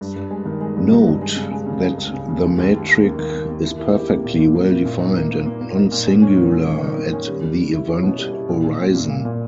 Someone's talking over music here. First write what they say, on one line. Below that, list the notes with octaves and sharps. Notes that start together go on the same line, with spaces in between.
Note that the metric is perfectly well defined and non-singular at the event horizon.
G2
G2
G#3
D#3
G#3
G2
D#4
G2
G#3
C#3
G#3
C#3
G#3
C#2
C#3
C#3
D#2
D#2
D#2
D#2
A#3
D#3
A#3
A#3
E4
E4
G4
A#3
A#2
A#2
A#3
E4
A#2
D#4
A#3
A#3
A#3
A#3
D#4
A#2
G#3
C#4
D#3
G#3
D#3
D#3
D#3
C#4
G3
G3
G3
E4
C#4
B2
G3
E4
A#2
A#2
A#2
A#2
A#2
A#2